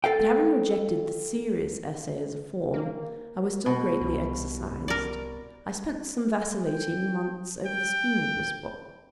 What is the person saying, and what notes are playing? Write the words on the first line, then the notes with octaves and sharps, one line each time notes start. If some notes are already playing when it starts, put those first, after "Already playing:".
But having rejected the "serious" essay as a form, I was still greatly exercised, I spent some vacillating months, over the scheme of this book.
A4 F5 G5
A#3
B2
C2
A#4 D5
G5
G5